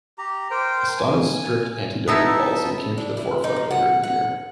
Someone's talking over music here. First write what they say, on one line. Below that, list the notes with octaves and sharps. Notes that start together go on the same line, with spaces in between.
Astana's strict anti-doping policy came to the forefront later in the year.
G4 A#5
A#4 C5 G5
G#5
B3 D#4 E4 A4 E5 A5
D4
E4
D#4
F3
F#5
F#5